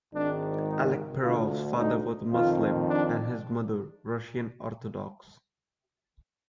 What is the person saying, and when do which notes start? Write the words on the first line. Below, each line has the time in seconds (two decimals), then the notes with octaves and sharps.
Alekperov's father was a Muslim and his mother, Russian Orthodox.
0.13 G#1 G#2 D#3 D4
0.68 D#4
1.23 D2 D3 F4
1.78 D#4
2.32 F2 D#3 F4
2.87 D4